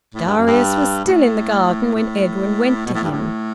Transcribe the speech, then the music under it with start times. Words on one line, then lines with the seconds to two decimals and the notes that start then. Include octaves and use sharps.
Darius was still in the garden when Edwin went to him.
0.14 A2
0.26 G2
0.37 F#2
0.47 G2
1.05 A2
1.95 A2
2.86 B2
2.95 A2
3.04 G2
3.11 A2